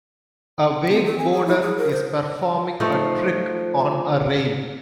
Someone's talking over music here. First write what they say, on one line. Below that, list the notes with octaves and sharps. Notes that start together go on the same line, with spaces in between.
A wakeboarder is performing a trick on a rail.
C4
A4
G#5
G#4
E4
G#4
A#4
C5
F3 A3 D#4